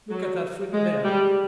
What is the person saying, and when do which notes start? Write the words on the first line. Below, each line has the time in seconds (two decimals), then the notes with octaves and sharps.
Look at that foot there.
0.11 F#3
0.73 G#3
1.04 G3